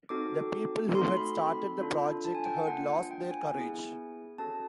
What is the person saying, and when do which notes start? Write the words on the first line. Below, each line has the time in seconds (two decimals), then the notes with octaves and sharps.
The people who had started the project had lost their courage.
0.09 C4 D#4 F#4 A4 D6
0.95 A3 C4 D#4 F#4 A4 C6
1.17 B5
1.38 B5
1.81 D4 F4 A4
2.25 A5
2.35 G#5
2.45 G5
2.57 F#5
2.67 A#3 D4 F4 F#5
3.11 G5
3.31 G#5
3.53 B3 E4 G#4
4.38 C#4 F#4 A4 A5